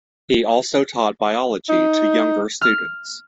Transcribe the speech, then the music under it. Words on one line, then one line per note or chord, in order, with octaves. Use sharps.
He also taught Biology to younger students.
D#4
F6